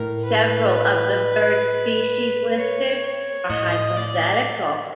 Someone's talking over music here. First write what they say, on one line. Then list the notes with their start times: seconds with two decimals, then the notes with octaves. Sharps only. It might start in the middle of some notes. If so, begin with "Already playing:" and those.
Several of the bird species listed are hypothetical.
Already playing: A2 A#4
0.25 B4
2.57 C#5
3.50 A2 D#5
3.97 D5